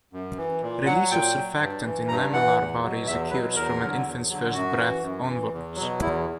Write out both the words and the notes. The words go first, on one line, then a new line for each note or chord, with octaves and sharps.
Release of surfactant in lamellar bodies occurs from an infant's first breath onwards.
F#2
E3
A#2
F#3 F#5
A#2 G5
F#3
G2
E3
G2 A#5
E3 F#5
E2
B2 F#3
E2 E5
B2 F#3 B4
E2 A#4
D3 F#3
E2
D3 F#3
F#2 F#4
E3
F#2
E3
E2
B2 F#3
E2 E4